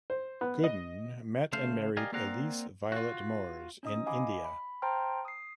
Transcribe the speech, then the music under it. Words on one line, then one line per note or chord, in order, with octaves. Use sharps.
Gooden met and married Elise Violet Moores in India.
C5
B3
D#5
C#3 A3 C5 F5
G4 A#4 D5 D#5 F5 G#5
A#3 C4 D5 F5 F#5 A#5
F4 F#4
C#4 D#4 D#5 D#6
D#5 F5 G#5 B5 D6
B5
C5 G5 A5 A#5 C6 F6
D#6 C7